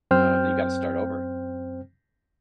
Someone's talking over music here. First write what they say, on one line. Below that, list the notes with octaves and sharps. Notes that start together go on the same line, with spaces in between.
Oh, and then you gotta start over.
F#2 C4 C5 G5 F6 G6